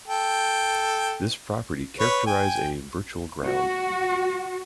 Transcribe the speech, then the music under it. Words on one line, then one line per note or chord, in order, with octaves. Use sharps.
This property characterize a "virtual ground".
A4 G5
B4 C#5
G5 G#5
F#4